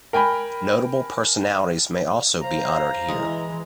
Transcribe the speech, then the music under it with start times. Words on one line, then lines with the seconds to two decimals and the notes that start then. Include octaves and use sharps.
Notable personalities may also be honoured here.
0.13 A#4 G5 G#5 B5
2.41 C5 F5 A#5
3.08 E3 G#3